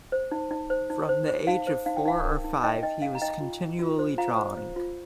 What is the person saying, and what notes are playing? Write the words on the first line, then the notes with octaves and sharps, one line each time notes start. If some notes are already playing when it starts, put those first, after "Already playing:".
From the age of four or five he was continually drawing.
C5
D#4
D#4
C5
D#4
C5
C5
D#4 F5
C5
D#4 F5
G5
D#4 F5
A#4
D#4
D#4 D#5 G5
D#4 D#5 G5
D#4 F5
A#5
D#4 D#5 G5
F4
F4
F4
C5
F4 F5 A#5
C5
C5
F4